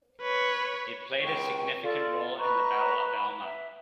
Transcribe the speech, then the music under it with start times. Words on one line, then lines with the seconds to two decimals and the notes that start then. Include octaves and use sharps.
It played a significant role in the Battle of Alma.
0.22 B4 C#5
1.23 C#2 G5 C#6
1.83 F4 A4 D5
2.38 B4 D#5 A#5 C#6
3.43 E5